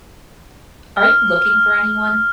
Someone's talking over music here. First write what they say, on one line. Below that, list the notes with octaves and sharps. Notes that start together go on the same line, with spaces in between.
Are you looking for any one?
F6